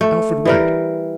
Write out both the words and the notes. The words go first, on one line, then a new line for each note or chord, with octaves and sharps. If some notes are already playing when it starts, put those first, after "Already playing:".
Alfred went.
A3
E3 G3 A#4